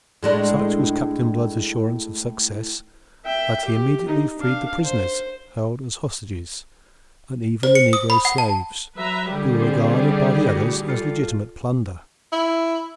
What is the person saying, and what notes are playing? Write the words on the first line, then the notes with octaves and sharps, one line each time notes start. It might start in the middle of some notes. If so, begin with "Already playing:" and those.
Such was Captain Blood's assurance of success that he immediately freed the prisoners held as hostages, and even the negro slaves, who were regarded by the others as legitimate plunder.
A2 G#3 D4
E5 G5
G4
D#4
D4 F5
C5
C5
C#7
D#6
B5
F#5
A5
F#3 B4 E5 A#5
D3 G3 G4 G#4
C4 C5
D5
A2 F#4
F4 A4
E4